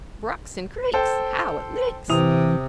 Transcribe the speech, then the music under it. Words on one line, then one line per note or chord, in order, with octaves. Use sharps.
"Brooks and creeks, How it leaks!"
A4 C5 G5
C3 E3 D#6 F7